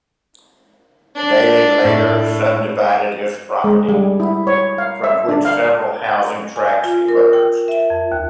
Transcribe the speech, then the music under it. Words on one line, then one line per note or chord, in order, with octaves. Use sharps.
Daly later subdivided his property, from which several housing tracts emerged.
D4 D5
A2
G#3
G3
E4
C#5
F5
E5
D4
F5
G#5
F4
A#4
G5
E5
F2
D#2